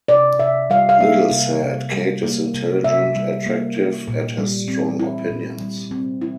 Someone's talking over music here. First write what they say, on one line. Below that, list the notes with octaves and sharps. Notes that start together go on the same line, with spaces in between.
Liddle said: Kate is intelligent, attractive and has strong opinions.
C3 D5
C3 E5
G3 F5
F5
A#3 E5
C3
C3
G3
A#3
C3
C3 E5
G3
A#3
E4
A#2
G3
C4
E4
A#2
G3
C4
E4